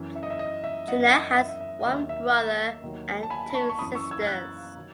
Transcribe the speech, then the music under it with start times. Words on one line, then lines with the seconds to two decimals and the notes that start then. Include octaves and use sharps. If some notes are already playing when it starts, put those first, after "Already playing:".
Jenna has one brother and two sisters.
Already playing: F#2 E3
0.15 E5
0.23 D#5
0.30 E5
0.39 D#5
0.64 E5
0.88 F#2 E3 D#5 F#5
1.01 E5
1.12 D#5
1.36 E5
1.48 E5
1.60 E5
1.80 D#5
1.85 D#2 D#3 F#3 E5
2.09 E5
2.82 D#2 D#3 F#3
3.23 A5
3.30 G#5 B5
3.50 B5
3.54 A5 C#6
3.69 C#6
3.79 F#2 E3 B5 D#6
3.95 C#6 E6
4.11 E6 G#6
4.22 G#6
4.27 F#6 A6
4.77 D#3 F#3